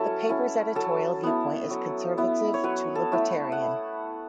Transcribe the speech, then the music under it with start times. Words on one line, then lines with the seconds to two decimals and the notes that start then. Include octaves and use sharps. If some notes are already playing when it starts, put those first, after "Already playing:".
The paper's editorial viewpoint is conservative to libertarian.
Already playing: F#3 C#4 E4 A4
0.29 C#4 E4
0.75 F#3 A4
1.23 B3 E4
1.70 F#3
2.18 B3 E4
2.54 C#5
2.63 F#3 B4
2.95 A4
3.12 A3 E4
3.52 F#5